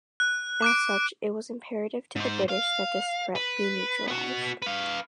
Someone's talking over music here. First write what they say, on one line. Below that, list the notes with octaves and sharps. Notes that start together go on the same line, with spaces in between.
As such, it was imperative to the British that this threat be neutralised.
F#6
D6 F#6 D7
G#2 C5
F5
B4
B3 F#4
B4 F5